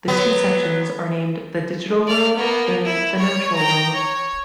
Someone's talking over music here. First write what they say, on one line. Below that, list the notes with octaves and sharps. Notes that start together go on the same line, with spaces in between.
The two sections are named "The Digital World" and "The Natural World".
F#3 B3
D5 F6
A#3 B3
E4
C#5
G5 A#5
C#5